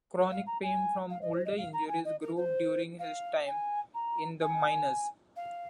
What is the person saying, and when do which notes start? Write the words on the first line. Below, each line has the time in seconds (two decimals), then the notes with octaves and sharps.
Chronic pain from older injuries grew during his time in the minors.
0.31 F5
0.46 A#5
0.62 G#5
1.09 F5
1.21 D#5
1.33 C5
1.45 D#5
1.57 F5
1.72 A#5
1.88 G#5
2.04 D#5
2.20 A#4
2.36 C5
2.98 F5
3.46 G#5
3.94 A#5
4.41 G#5
5.36 F5